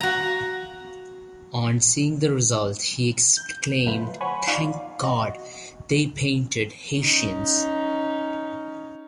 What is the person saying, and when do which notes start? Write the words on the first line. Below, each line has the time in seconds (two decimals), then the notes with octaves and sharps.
On seeing the result he exclaimed Thank God!, they painted Haitians.
0.01 F#4 A#5
3.37 G6
3.86 D3 F#3 A3 F4 B4
4.21 C5 C#5 F#5 G#5 B5 C#6
4.47 D#4 F4 D5 F5
5.03 F#4 D#5
6.98 C#4 D#4